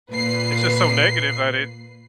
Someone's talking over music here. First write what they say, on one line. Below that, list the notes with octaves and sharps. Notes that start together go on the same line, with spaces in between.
it's just so negative that it
A#2 B4 C7